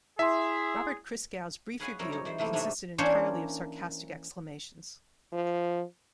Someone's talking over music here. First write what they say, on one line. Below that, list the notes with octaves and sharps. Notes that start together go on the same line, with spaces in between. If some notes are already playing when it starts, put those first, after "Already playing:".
Robert Christgau's brief review consisted entirely of sarcastic exclamations.
E4 G#4 E5 C6
G#4 B4 C#5 F5 F#5 G#5
F#2 G3 C4 A#4 C#5
D#4 C#5
E2 E3 C5
C3 E3 A3 A#3
G#2 C3 D4 C#5 D#5 E5
E3 A#3 C#4 D4 C5 C#5
F3